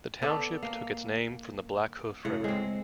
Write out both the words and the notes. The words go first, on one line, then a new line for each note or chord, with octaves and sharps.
The township took its name from the Blackhoof River.
B3 A4 D5
A#3
A2 C#3 F#5
G#3 C4